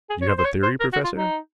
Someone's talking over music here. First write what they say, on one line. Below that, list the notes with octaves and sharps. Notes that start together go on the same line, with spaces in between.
"You have a theory, professor?"
G#4
C#5
C5
C5
C#5
C5
A#4
F#4
F4
D#4